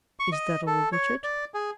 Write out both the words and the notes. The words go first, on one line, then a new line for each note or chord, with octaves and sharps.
"Is that all, Richard?"
C#6
D#5
A4
C#5
D5
G#4